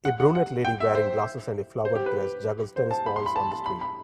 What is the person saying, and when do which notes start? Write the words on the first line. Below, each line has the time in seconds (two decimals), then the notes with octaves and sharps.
A brunette lady wearing glasses and a flowered dress juggles tennis balls on the street.
0.05 F#5
0.20 F#5
0.35 F#5
0.65 G5
0.80 E5
0.95 C5
1.85 C5
1.95 G4
2.06 B4
2.76 C5
2.91 A5
3.06 B5
3.16 C6
3.26 B5
3.36 A5
3.51 A5
3.66 B5
3.81 B5